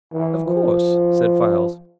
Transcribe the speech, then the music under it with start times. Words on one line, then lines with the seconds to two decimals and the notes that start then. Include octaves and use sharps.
"Of course," said Files.
0.13 E3
0.47 F3